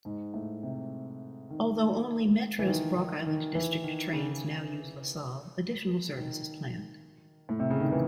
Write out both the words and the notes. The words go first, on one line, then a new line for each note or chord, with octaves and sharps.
Although only Metra's Rock Island District trains now use LaSalle, additional service is planned.
G#2
A2
C3
D#3
E3
D#3
D#3
D#3
E3
D#3
C#3
D#3
A2
C3
C#3
D#3
E3